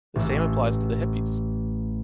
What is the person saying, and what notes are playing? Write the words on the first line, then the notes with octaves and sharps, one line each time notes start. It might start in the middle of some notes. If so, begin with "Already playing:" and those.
The same applies to the hippies.
A1 E6